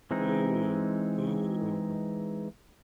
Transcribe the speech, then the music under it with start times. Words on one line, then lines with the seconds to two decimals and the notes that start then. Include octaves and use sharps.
Ooh. Ooh.
0.11 E3 G#3 C4 D#4